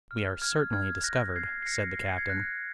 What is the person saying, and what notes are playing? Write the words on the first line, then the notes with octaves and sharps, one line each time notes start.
"We are certainly discovered," said the captain.
F6
F6 G#6
F6 G#6
F#6 A#6
G#6 C7
C7
A#6 C#7
C7
C#7
G#6 C7
F#6 A#6